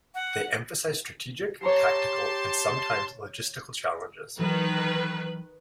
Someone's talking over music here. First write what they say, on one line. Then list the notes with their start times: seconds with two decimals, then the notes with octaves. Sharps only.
They emphasize strategic, tactical, and sometimes logistical challenges.
0.15 F#5
1.61 G4 C#5 A5 A#5 C6 C7
4.39 D#3 E3 F#3 B4